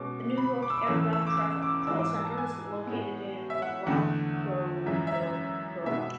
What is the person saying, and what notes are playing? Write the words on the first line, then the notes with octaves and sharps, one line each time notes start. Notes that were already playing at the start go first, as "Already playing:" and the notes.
The New York Air Route Traffic Control Center is located in Ronkonkoma.
Already playing: B2 G#3 C#4 D6
B5
D6
E6
D6
E2 C#3 E3 A3 C#4 E6
E6
D6
E6
D6
D6
G#2 E3 G#3 E6
D6
A5
G#5
A2 G#3 B3
E5
F#5
E2 D3 A3 F#5
F#2 E3 G#3 E5
E5
B2 G#3 B3 E5